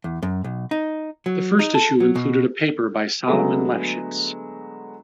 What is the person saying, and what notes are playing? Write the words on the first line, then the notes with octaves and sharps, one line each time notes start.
The first issue included a paper by Solomon Lefschetz.
E2
F#2
B1
D#4
F#3
D#4
A4
F#3
B2
D3 F#3 G#3 A3 B3